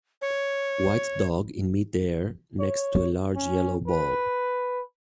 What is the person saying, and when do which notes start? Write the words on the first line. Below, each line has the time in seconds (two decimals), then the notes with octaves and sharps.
White dog in midair next to a large yellow ball.
0.22 C#5
2.60 C#5
3.36 C#4
3.88 B4